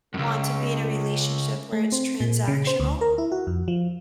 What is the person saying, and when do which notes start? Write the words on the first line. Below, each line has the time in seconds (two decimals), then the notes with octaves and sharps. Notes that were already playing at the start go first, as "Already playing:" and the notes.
want to be in a relationship where it's transactional.
0.14 C#2 F#2
1.73 A3
1.92 C4
2.20 A#2
2.48 C#3
2.67 C5
2.80 D2
3.01 A#4
3.18 E4
3.32 F#4
3.47 F2
3.68 F3